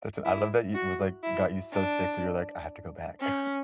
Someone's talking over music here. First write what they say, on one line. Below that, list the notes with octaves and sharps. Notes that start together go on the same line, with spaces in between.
That's uh, I love that y was, like got you so sick but, you're like, "I have to go back.
E4
F#4
E4
D4
C#4